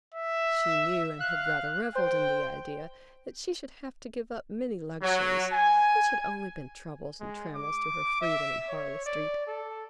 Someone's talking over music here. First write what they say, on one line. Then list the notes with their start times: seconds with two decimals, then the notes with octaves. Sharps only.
She knew, and had rather revelled in the idea, that she should have to give up many luxuries, which had only been troubles and trammels to her freedom in Harley Street.
0.14 E5
1.20 F5 F#6
1.95 C5 G5
5.02 F#3
5.52 G#5
7.20 G#3
7.55 D6
8.21 E5
8.69 C#5
9.06 D5
9.47 A4